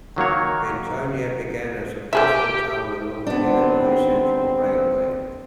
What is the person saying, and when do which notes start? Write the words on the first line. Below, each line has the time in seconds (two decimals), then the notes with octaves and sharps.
Bentonia began as a postal town along the Illinois Central Railway.
0.16 D#3 F#3 A#3 C#5
2.13 A3 G4 G#4 E5 G5
3.27 D#2 G#2 B3 C4 D4